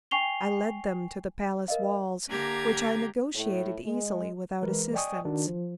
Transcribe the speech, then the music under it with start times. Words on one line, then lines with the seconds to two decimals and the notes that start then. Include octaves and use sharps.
I led them to the palace walls, which I negotiated easily without assistance.
0.11 G5 G#5 C#6 C7 F7 G7
1.68 A#4 D#5 F5
2.29 D3 A#3 G4 A#5 G#6
3.34 A2
3.85 G#3
4.62 E3 G#3 A#4 B4
4.94 D5 D#5 G5 G#5 C#6 D#6
5.25 D#3 D4 F#4
5.47 F3